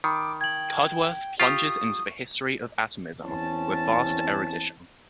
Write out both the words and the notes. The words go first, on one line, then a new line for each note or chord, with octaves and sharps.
Cudworth plunges into the history of atomism with vast erudition.
D#3 B5 D6
G5 G#6 F#7
F4 G4 C#6 D#6
E2 C4 C#4 A5